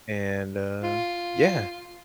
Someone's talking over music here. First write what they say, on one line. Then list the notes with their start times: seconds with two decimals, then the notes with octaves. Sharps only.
and, uh, yeah,
0.83 F4